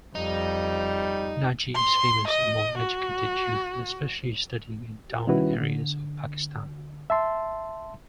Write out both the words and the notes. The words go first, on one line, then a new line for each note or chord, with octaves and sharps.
Naji is famous among educated youth especially studying in Down areas of Pakistan.
F2 G3 D#4
C6
D#5
F#4
D#3 G3 C#4 E4 F#4 B4
D3
E5 A5 C6